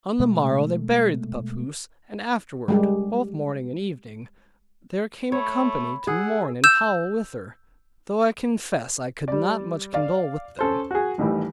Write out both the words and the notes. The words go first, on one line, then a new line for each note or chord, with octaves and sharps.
On the morrow they buried the papoose, and afterward, both morning and evening, there came a company to mourn and howl with her; though I confess I could not much condole with them.
B2 G#3 A3
G3 G#3 G4
A3 C#5 B5
G#4 F#5 E6
E6 G6 E7
G3 D5
D5 F5
C#4 A4 C5
F#4 G#4
A1 A2 D#3 E3 G3